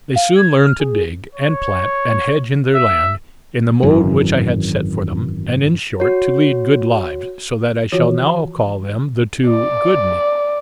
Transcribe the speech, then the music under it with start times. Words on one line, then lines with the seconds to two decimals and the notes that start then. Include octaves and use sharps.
They soon learned to dig, and plant, and hedge in their land, in the mode which I had set for them, and in short, to lead good lives, so that I shall now call them the "two good men."
0.16 F5
0.36 G#6
0.62 F6
0.80 G#4
1.35 C#5
2.74 E5
3.83 G#1 F#2 E3
6.00 F#4 C#5
7.92 D#3 E3 F4 F#4 C#5
9.48 D5